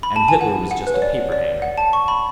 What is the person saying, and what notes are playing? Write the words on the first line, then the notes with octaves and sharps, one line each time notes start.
"And Hitler was just a paper-hanger."
B5
A5
G#5
F#5
F#5
B4
C#5
D5
D5
F#5
A5
C#6
B5